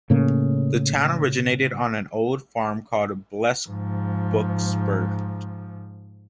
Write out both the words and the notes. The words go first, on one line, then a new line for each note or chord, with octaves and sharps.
The town originated on an old farm called "Blesbokspruit".
A2 C#3 A#3
G#2 F3